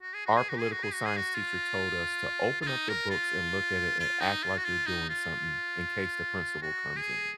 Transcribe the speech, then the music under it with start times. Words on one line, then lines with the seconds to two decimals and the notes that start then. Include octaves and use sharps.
our political science teacher told us to "Open up the books and look at it and act like you're doing something in case the principal comes in."
0.02 F#4
0.14 G#4
0.26 F#4
0.37 G#4
0.49 F#4
0.60 G#4
0.72 F#4
0.83 G#4
0.93 F#4
1.05 G#4
1.17 F#4
1.35 F4
2.61 F4
2.67 D#4
2.89 A#4
3.10 F4
3.99 F4
4.21 D#4
4.43 F4
4.58 F#4
4.65 F4
4.87 D#4
5.10 F4
6.62 F#4
6.96 G#4